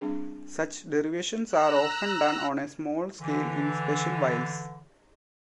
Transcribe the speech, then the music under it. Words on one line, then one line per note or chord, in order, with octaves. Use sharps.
Such derivatizations are often done on a small scale in special vials.
G3 C4 D4 G#4
A#5 E6 F#6
D3 E3